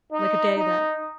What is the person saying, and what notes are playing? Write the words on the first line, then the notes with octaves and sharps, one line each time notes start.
like a day that,
D#4
D#4